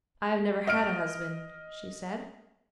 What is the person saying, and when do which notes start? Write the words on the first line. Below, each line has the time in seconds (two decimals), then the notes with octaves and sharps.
"I have never had a husband," she said.
0.67 D#5 F6 D7